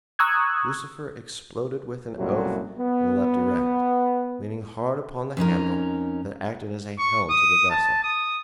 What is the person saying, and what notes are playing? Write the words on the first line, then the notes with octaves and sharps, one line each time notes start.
Lucifer exploded with an oath and leapt erect, leaning hard upon the handle that acted as a helm to the vessel.
A#5 C#6 D#6 E6 F#6 G#6
C2 F#2 A#2 F#3 G3 A3
B3
F2 C#4 D#4 A#4
C#6
D#6
A5
D#6